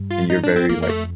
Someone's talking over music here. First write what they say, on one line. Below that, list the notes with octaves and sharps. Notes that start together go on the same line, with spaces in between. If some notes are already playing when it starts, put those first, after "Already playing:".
And you're very like
Already playing: G2
F4
D#4
D4
C4
F2 A#3
A#3
A3